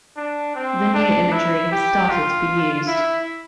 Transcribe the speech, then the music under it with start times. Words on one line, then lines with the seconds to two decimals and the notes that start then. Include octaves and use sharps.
The new imagery has started to be used.
0.16 D4
0.55 C4
0.94 D4
1.32 E4
1.72 G4
2.10 F4
2.87 E4